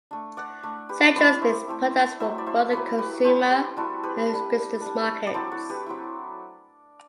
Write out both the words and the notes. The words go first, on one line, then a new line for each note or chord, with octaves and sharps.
Xandros makes products for both the consumer and business markets.
A3 D4
D5 F#5
A3 D4
G4 B4
A3 C4 E4 B4 D5
C5 E5
A3 C4 E4
F#3 A3 E4 C5 E5
D5
C5 E5
F#3 A3 E4 B4 D5
G4 B4
G3 C4 E4 A4 C5
C5
G4 B4
G3 C4 E4 F#4 A4
G4 B4
G3 D4
G3 D4
D5
F#3 C4 E4 A4 C5
F#4 A4
G4 B4
F#3 C4 E4